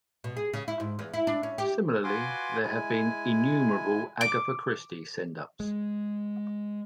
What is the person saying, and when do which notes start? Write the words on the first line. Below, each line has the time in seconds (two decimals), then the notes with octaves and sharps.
Similarly, there have been innumerable Agatha Christie send-ups.
0.24 B2
0.37 G#4
0.53 C#3
0.68 E4
0.80 G#2
0.99 E2
1.14 E4
1.27 D4
1.43 C#4
1.58 G4
2.04 F4 F#4 B4 G#5 C6 D6
2.63 G#3 E4 G#5
4.21 D6
5.60 G#3